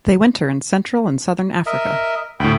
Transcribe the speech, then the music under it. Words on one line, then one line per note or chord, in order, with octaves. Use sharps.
They winter in central and southern Africa.
A#4 D#5 E5
D2 A2 G5 B5